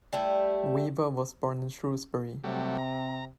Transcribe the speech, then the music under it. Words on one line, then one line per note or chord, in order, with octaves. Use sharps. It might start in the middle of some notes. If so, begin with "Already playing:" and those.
Weaver was born in Shrewsbury.
G3 A3 E4
C3 F#3 G3 A3
A#5